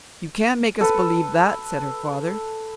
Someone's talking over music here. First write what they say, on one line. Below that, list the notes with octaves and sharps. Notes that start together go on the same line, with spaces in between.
'You can't make us believe that,' said her father.
A4 B4